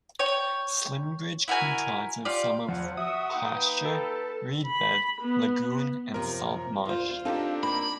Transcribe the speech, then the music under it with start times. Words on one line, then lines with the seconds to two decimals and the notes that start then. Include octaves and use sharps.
Slimbridge comprises some of pasture, reed bed, lagoon and salt marsh.
0.19 C#5 G5
1.48 E4 F#4 A#4 G#5
2.25 F4 G4 D5
2.68 E2 F3 F#5
2.97 F#4 E5 D#6
3.35 A#3 D#4 G5
3.55 B4
3.85 A4
4.66 B5
5.21 B3
6.14 F#2 C3 F3 A#4
6.86 D2 F4 C5
7.25 C4 D4 D#4 F4 G4 A4 F5
7.63 A#3 B5